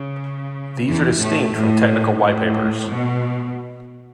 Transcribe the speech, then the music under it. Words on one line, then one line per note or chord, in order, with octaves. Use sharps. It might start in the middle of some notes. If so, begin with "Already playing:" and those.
These are distinct from technical white papers.
Already playing: C#3
E2 E3
A2 A3
A2
A2
B2